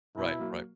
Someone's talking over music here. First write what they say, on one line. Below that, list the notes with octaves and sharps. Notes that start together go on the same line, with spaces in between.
Right, right.
B2 E4
F#3 A#3